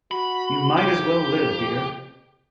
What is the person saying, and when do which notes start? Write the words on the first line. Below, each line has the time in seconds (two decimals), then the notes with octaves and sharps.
You might as well live dear.
0.11 F#4 B5
0.78 F2 G4